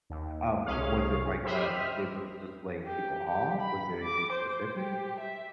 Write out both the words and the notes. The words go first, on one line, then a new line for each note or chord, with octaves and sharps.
Um, was it like, uh, they were just laying people off? Was there anything specific?
D#2
C2 C3 C#4 G#4 F5
G4 C5 E5 B5 D#6 F6
G4
G4
B5
D6
C5
G4
E5